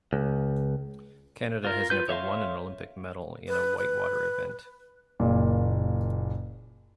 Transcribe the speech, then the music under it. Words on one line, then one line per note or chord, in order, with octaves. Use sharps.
Canada has never won an Olympic medal in a whitewater event.
C#2
F4 A#4
F4 B4 G6
C#5 E5 F5 C6
B4
B4
F#1 A#2